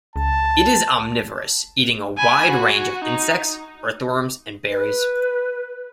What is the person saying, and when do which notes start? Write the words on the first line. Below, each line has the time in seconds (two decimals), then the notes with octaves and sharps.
It is omnivorous, eating a wide range of insects, earthworms and berries.
0.16 C#2 A5
2.18 G#5 B5
2.51 F#4
3.04 D#4
4.69 B4